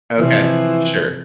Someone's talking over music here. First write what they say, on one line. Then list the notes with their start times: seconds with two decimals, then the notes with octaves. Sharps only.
Okay. Sure.
0.19 C3 E3 F3